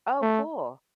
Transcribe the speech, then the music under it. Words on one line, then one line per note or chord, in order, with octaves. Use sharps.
Oh, cool.
A3